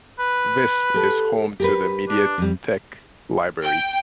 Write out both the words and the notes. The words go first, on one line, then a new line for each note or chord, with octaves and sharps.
Visp is home to the "Mediathek" library.
B4
G4 A4
G4 A#4 B4
D4
F2 G3
G5